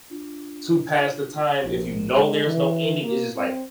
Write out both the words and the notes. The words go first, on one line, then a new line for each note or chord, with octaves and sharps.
to pass the time. If you know there's no ending, it's just, like,
D4 F4
A#1
G#3
E3
A#3
C4